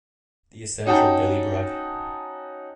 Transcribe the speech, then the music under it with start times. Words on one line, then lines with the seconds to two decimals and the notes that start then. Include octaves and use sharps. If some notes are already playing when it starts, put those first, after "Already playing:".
The Essential Billy Bragg.
0.86 C#4 D#4 F#4 G5 A5